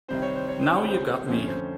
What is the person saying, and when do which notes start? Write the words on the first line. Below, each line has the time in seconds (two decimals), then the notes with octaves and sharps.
Now you got me.
0.08 C2 C3 D#3 G3 C4 C5
0.22 C#5
0.36 C5
0.48 C#5
0.61 C5
0.75 C#5
0.89 C5
1.28 F2 D3 F3 A3 C#4 C5
1.48 C5